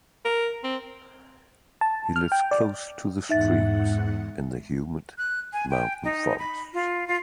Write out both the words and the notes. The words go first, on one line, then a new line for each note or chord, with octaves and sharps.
He lives close to the streams, in the humid mountain forests.
A#4
C4
A5
F6
G5
D5
E2 G#2 D#4 E5 F#5 A6
F#6
G#5
G5
D#4
B5
F4
F4